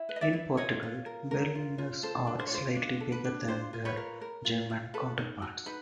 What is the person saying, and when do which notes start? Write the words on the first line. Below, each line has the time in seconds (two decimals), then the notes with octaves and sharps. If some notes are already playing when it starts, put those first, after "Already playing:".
In Portugal, Berliners are slightly bigger than their German counterparts.
Already playing: E4
0.09 B4
0.16 D#5
0.21 D5 E5
0.33 E4
0.57 F4 C#5 D#5
0.83 F4
1.06 A#4
1.31 A#4
1.55 F4
1.78 F4
2.03 A4 C5
2.27 D4
2.39 C5
2.47 C#5
2.51 F4 C5
2.76 D4
3.00 A4
3.12 B4
3.24 D4
3.48 F4 C5
3.73 F4
3.85 B4 C#5
3.97 A#4
4.21 A#4
4.45 F4
4.70 F4
4.94 A4 B4
5.18 D#4
5.42 F#4
5.66 D#4 B4